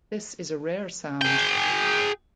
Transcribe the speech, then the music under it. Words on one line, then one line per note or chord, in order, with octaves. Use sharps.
This is a rare sound.
G#4 G5